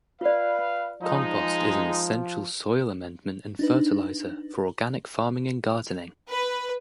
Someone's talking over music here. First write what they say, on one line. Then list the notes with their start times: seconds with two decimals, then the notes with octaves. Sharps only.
Compost is an essential soil amendment and fertilizer for organic farming and gardening.
0.21 F4 B4 D5 F5
1.03 F3 G#3 D#4
3.59 D4 D#4 B4
6.28 B4